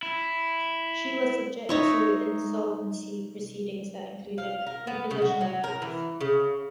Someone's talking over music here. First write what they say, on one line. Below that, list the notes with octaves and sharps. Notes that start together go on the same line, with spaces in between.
She was subject to insolvency proceedings that included repossession of her house.
E4
D#4 C#5 E5
F5
A#4
B3
C#3
F#4
F#3
A#4
E3
C#3